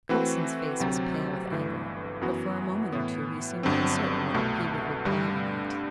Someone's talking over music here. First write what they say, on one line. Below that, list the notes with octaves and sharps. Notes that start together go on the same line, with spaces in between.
Coulson's face was pale with anger, but for a moment or two he seemed uncertain whether he would reply or not.
E3 A3 C4 F#4 B4
D2 C3 F#3 C4
G1 G2 E3 A3
F#2 E3 B3 F#4
A2 E3 B3
G1 G2 D3 F#3 C4
C2 B2 A3
G2 D3 G3